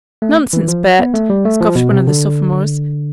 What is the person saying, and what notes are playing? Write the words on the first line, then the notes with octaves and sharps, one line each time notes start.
"Nonsense, Bert," scoffed one of the sophomores.
A3
E3
F3
B3
A3
G3
A3
F3
B2
C3
D3